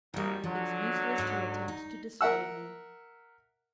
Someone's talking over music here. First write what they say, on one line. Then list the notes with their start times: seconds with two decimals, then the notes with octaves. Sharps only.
'It's useless to attempt to dissuade me.'
0.14 G#1 D#3 G3 A#3 D#4
0.44 D3 F3 F#3
1.18 G#2 D5
1.68 D#4
2.21 A#4 E5 F#5 E6